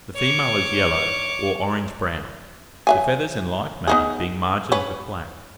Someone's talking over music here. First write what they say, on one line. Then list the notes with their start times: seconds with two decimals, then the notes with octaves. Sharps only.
The female is yellow, or orange-brown, the feathers in like manner being margined with black.
0.16 C#5 D6
2.87 F#3 E5 G#5
3.87 B3 D#4 G#4
4.72 C#4 B4